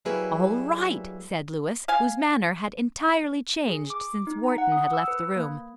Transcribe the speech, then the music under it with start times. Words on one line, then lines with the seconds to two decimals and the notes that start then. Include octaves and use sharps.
"All right!" said Louis, whose manner had entirely changed since Wharton had left the room.
0.05 F#3 G3 A#3 E4 G#4 B4
1.88 F5 G#5
3.67 G#4
3.90 D6
4.27 D#4
4.44 A#5
4.58 F#5
4.72 D#6
4.93 E6
5.08 B4
5.36 A#3